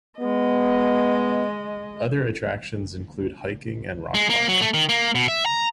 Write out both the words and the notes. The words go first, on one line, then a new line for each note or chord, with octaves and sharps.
Other attractions include hiking and rock climbing.
G#3 B3 D#5
G#3
A#3
F#3
A3
D#3
A#3
B2
E5
A#5